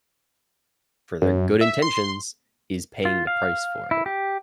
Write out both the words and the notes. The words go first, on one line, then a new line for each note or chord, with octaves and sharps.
for their good intentions is paying the price for it.
F#2
E5
C6
F4
F5
E4
G4